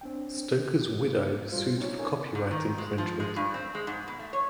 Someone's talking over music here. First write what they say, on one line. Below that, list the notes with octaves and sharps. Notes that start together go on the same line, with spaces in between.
Stoker's widow sued for copyright infringement.
C4 D4 G5
A#3 D#4
G3 F4 F#4 C5
C4 D#4 C#5
C#4 D#4 A4 A#4 C#5 G#5
G#2
D#3
G#3
F3
G#3
G2
C4
G#3
G#2
B2
A3
C#5